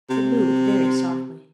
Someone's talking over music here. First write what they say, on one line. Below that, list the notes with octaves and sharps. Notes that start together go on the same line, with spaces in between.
It moved very softly.
C3